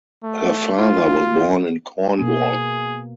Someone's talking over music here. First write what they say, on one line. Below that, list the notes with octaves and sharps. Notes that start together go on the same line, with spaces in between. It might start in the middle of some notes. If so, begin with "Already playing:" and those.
Her father was born in Cornwall.
A3
F4
B2 A#3 G#4